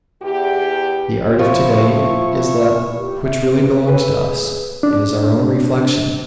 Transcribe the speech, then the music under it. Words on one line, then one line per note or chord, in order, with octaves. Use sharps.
The art of to-day is that which really belongs to us: it is our own reflection.
E2 G4
F3 E4 C#6
G4
E5
B4
A4 B4
G#4
D4